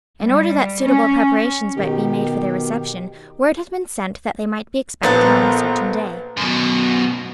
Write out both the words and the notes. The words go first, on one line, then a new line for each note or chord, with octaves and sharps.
In order that suitable preparations might be made for their reception, word had been sent that they might be expected on a certain day.
G3
C#4
B2 D#3 G4
A#1 B3 A4 A#4
F#2 B2